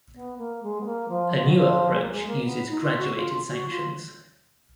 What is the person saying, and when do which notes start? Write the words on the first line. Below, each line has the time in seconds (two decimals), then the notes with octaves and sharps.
A newer approach uses graduated sanctions.
0.14 B3
0.37 A#3
0.62 G#3
0.80 B3
0.85 A#3
1.08 F3
1.32 F3
1.45 F#3
1.56 F3
1.92 G#3
2.01 A#3
2.10 G#3
2.26 A#3
2.44 B3
2.69 D#4
2.80 F4
2.98 F#4
3.15 F4
3.34 F4
3.46 F4
3.51 F#4
3.69 F4